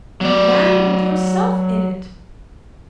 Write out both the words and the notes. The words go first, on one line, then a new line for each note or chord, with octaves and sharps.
You landed yourself in it.
F#3 D5